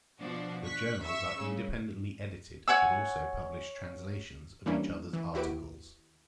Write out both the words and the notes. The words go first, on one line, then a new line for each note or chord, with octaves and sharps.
The journals are independently edited, but also publish translations of each other's articles.
B2 F3 D4 F#4
C#6 F#6 B6
E5 C#6 E6
G2 C#3
C#5 F#5 G#5 E6
E3 G3 A#3 C#4 D4 E4
E3
D#2 E4 F#4 G4 B4 D7